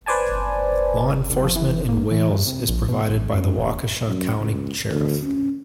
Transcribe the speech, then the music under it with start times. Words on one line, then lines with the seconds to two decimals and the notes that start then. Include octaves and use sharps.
Law enforcement in Wales is provided by the Waukesha County Sheriff.
0.06 B4 C5 D5 G#5 A5
1.29 C2
1.44 F3
1.56 E3
1.89 A#3
2.11 E3
2.30 G2
2.46 C3
2.68 A#1
2.89 B2
3.09 A1
3.33 F#2
3.57 D#1
4.07 F#2
4.38 C#2
4.89 D2
5.23 C#4